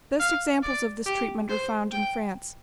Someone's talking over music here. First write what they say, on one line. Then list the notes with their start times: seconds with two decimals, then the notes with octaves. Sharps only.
The best examples of this treatment are found in France.
0.20 F5
0.63 D5
1.06 G4
1.49 C5
1.92 G5